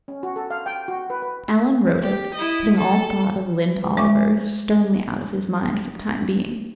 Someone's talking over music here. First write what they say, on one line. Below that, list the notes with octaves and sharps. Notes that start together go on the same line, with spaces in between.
Alan wrote it, putting all thought of Lynde Oliver sternly out of his mind for the time being.
C#4
F#4
A4
F5
G5
F#4
B4
B4
G4
E4 D#5
A4
G#3 E5 C#6 D6